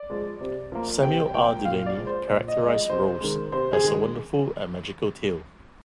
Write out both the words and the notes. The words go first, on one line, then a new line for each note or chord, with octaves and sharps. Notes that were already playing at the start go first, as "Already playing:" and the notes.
Samuel R. Delany characterized "Rose" as a "wonderful and magical tale".
Already playing: D5
F3 G#3
C3
F3 A#3
C3 G5
F3 A#3 G5
A#2 F5
D5
F3 G#3
C5
A#2 D5
D#5
F3 G#3
D#5
C3 C5
D#3 G#3
C3 C5
G#4
D#3 G#3